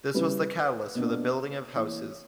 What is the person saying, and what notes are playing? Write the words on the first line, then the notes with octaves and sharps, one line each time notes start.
This was the catalyst for the building of houses.
C#3 G3 C#4 E4 B4
B2 A#3 D4
E3 A#3 E4 C#5